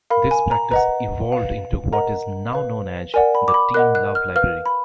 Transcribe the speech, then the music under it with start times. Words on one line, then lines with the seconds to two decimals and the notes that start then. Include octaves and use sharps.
This practice evolved into what is now known as The Team Love Library.
0.10 A#4 F5 B5
0.31 G#5
0.51 A#5
0.71 B4 D#5 F#5 A#5
1.32 B4 F5
1.93 A#4 D#5 F#5 A#5
2.53 B4 F5
3.14 A#4 D5 F#5 G#5
3.35 B5
3.48 D6
3.54 B5
3.74 A#4 D#5 F#5 F#6
3.95 F#6
4.15 F6
4.36 B4 F5 F6
4.66 B5